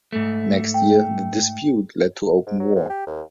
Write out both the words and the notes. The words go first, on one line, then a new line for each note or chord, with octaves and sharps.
Next year the dispute led to open war.
G#2 A3
G5
G#2
F#3
G#2
G4
D#2